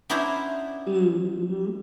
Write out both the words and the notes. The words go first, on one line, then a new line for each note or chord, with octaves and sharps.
Mm, mhm.
B3 C#4 D4 E4 C5 A#5